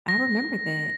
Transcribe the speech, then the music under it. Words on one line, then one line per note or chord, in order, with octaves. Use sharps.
I remember that.
A#6